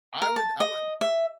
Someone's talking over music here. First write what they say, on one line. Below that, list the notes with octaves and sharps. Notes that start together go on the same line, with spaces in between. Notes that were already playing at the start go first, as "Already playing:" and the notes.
I would I would
A#4
A5
D#5
E5